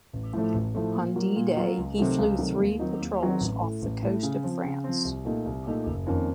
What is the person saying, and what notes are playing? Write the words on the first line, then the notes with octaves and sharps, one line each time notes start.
On D-Day he flew three patrols off the coast of France.
A1
A2 F3 A3
A1
A2 F3 A3
A#2
F#3 A#3 F4
A#2
F#3 A#3 F4
C#2
C3 D#3 F#3 A3
C#2
C3 D#3 F#3 A3
D#2
D#3 F#3 C4 D#4
D#2
D#3 F#3 C4 D#4
A1
A2 A3
A1
A2 A3
C#3
F3 C4
C#3
F3 C4
C2
A#2 A3 D#4
C2
A#2 A3 D#4
F#1
F2 D#3 A#3 C#4